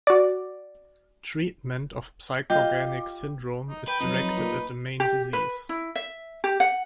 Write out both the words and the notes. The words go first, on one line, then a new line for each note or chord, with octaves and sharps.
Treatment of psychorganic syndrome is directed at the main disease.
F#4 D5
F4 G4 D#5
D#4
B4 G5
F2 F#3 D#4
A#2
G4
B4
E4
E5
G4
F#5